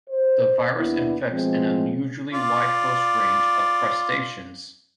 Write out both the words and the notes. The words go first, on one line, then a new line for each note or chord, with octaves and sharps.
The virus infects an unusually wide host range of crustaceans.
C5
D#2 B3 D4 E4
B2 F3 G#3 C4
F4 D5